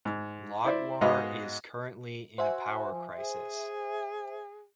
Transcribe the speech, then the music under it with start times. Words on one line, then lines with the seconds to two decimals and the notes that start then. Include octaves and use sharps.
Lodwar is currently in a power crisis.
0.05 G#2
0.65 E4 C5 D5 E5
1.01 G#2 B3 F#4 D#5 F5 B5
2.38 F#4 C5 E5 G#5
2.92 F3
3.18 G#4